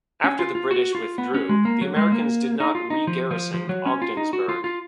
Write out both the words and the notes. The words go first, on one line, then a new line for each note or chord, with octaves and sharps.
After the British withdrew, the Americans did not re-garrison Ogdensburg.
C#4
F4
F4
F#4
F4
B3
C#4
G#3
A#3
F#3
G#3
A#3
D#4
F4
D#4
F3
F3
F3
F#3
C#4
F4
D#4
F#4
F4
F4